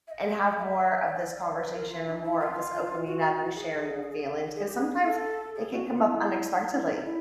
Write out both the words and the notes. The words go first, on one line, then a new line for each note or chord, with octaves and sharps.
and have more of this conversation or more of this opening up and sharing of feelings," 'cause sometimes it can come up unexpectedly
E5
D#5
F5
E5
D5
B4
A#4
F4
D#4
E4
F4
F#4
G#4
G#4
G4
G#4
A4
G#4
F#4
F4
E4
D#4
E4
D#4
E4